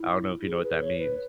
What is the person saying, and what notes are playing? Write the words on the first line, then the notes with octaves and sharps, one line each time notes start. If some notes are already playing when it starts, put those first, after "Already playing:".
I don't know if you know what that means
Already playing: E4
G#4
B4
C#5
B4